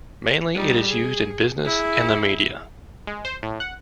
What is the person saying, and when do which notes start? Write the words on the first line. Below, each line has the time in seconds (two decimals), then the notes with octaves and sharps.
Mainly it is used in business and the media.
0.55 G3 D#4
0.89 G#4
1.64 E4 G#4
3.07 G#3
3.25 C5
3.43 A2
3.60 F#5